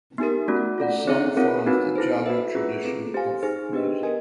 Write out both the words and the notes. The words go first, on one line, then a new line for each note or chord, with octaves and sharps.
His songs follows the Jagar tradition of music.
B3 D#4 G4 A#4
A3 C#4 F#4
F4 A4 D5 F#5
C4 D#4 G#4 C#5 E5
C4 F4 A#4 C#5 F#5
C4 D#4 F#4 B4
E4 A4 C5
F#4 B4 E5
C#4 F4 G#4 B4
C4 F4 A4
G4 C5 F5 G#5
D#4 G#4 C5
B3 D4 G4 B4 D#5
G4 A#4 D#5 G#5